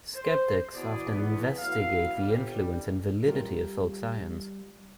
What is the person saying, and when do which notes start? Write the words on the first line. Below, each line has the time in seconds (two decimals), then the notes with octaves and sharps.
Skeptics often investigate the influence and validity of folk science.
0.15 C5
0.73 E2 B2 G#4 D5
1.11 E2 B3
1.59 F#3 A3 B3 E4 F5
2.15 G1 G3
3.27 G3 F4 A#4